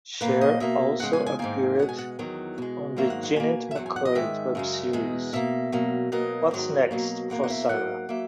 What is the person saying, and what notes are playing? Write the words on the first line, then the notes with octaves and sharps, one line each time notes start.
Scheer also appeared on the Jennette McCurdy web series What's Next for Sarah?
A#2 A#3 B4
D#5
B2 A#3 E5
E2 C#3 G#3 F#5
G#5
G#5
G#2 D#3 A#3 G#5
B2 G#3 F#5
G#5
F#5
E2 D#3 F#3
B2 G#3
G#2 D#3 F#3 A#3 E5
F#5
F#5
B2 A#3 G#5
E5
E2 D#3 F#3 F#5
G#5
F#5
D#5
G#2 D#3 G#3 E5
F#2 C#3 G#3
E2 B2 G#3
B2 A#3 E5
B2 F#3 A#3
B2 F#3 A#3 D#5
G#2 D#3 F#3
B2 F#3 A#3
E2 B2 A#3 F#5
F#5
E5
G#2 F#3 A#3 F#5
F#3 A#3 E5